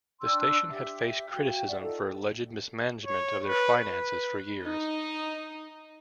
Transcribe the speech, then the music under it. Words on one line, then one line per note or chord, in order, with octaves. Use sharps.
The station had faced criticism for alleged mismanagement of their finances for years.
D4 G5 C6 E6
G4 E5
F#4 F5 G5
D5 E5 F#5
D#4 F4 A4
C#5
B4
B4
D#4